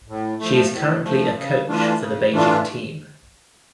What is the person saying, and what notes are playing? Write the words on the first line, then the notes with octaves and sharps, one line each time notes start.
She is currently a coach for the Beijing team.
A2
F3 A3
A2
F3 A3
C#3
E3 A3 D4 F4
C#3
E3 A3 D4 F4